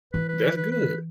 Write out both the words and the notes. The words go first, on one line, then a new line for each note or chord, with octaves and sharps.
That's good.
E3 B4
B4
B4
B4
B4